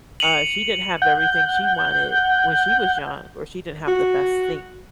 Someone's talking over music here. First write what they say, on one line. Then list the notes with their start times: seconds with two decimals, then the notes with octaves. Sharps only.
uh, she didn't have everything she wanted when she was young, or she didn't have the best things.
0.20 C#7 D#7 F7 F#7
1.02 F#5 G6
3.88 F#4